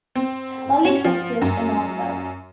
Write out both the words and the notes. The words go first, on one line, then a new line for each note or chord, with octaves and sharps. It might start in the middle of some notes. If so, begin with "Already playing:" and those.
Early success and all that.
C4
C#4
F3
F#2